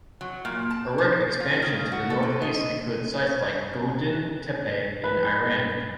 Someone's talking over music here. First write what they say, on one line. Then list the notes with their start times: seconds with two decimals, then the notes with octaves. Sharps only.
Uruk expansion to the northeast included sites like Godin Tepe in Iran.
0.21 F#3
0.45 A#2
0.70 A5
0.98 C5
1.40 F4
1.62 C#3
1.92 F#4
2.10 A4
2.23 B2
2.42 D#5
5.04 B4